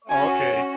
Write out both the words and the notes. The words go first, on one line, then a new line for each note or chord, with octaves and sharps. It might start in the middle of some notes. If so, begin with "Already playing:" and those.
Oh, okay.
C#4 F#4 G#5